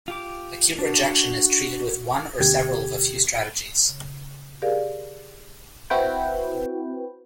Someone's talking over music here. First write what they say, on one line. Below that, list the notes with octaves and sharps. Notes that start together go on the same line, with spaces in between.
Acute rejection is treated with one or several of a few strategies.
F4 G4 D6
D4 F#4
D2 B2 G4 G#6
C#3
G4 G#4 A#4 D5 F5
C4 E4 F#4 B4 G5